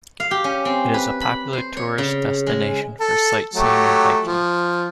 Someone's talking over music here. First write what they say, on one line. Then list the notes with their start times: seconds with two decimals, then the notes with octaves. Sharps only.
It is a popular tourist destination for sightseeing and hiking.
0.20 F5
0.31 G4
0.44 C#4
0.65 C4
0.94 B4
1.21 B5
1.53 C5
1.77 C#5
1.98 C#3
2.47 G#3
3.00 A4
3.54 F#3 A3 G4
4.25 F3